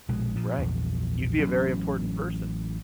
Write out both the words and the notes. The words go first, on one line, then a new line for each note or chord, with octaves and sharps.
Right, you'd be a very important person.
A#1 B2 G#3
A#2 F3
A#1 E2
A1 F#3 C#4